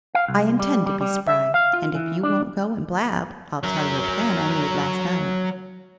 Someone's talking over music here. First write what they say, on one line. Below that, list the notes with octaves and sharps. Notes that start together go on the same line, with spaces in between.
"I intend to be spry, and if you won't go and blab, I'll tell you a plan I made last night."
F5
C2
G3
G3
G3
E5
F5
F4
E3
D4
F#3 A#4